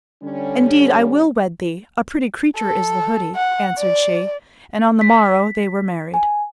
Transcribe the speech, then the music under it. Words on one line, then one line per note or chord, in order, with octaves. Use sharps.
'Indeed I will wed thee; a pretty creature is the hoodie,' answered she, and on the morrow they were married.
D3 G3 C#4
A4
F#5
D5
B6
G#5